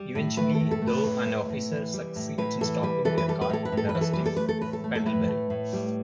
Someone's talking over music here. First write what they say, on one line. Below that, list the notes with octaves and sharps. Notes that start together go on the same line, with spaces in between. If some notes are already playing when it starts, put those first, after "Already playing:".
Eventually, though, an officer succeeds in stopping their car and arresting Pendlebury.
Already playing: G3
A2
A3 B4
A4
A2
A4
A3
B4
A2
A3
A2
E3
G3
A2
A2 B4
E3 A4
G3 B4
E3 A4
B4
G3 A4
B4
A2 A4
B4
A2
A4
B4
E3
A4
G3 B4
A4
A3 B4
A4
A2 B4
A4
A3
A4
A2 B4
A3
A2
G3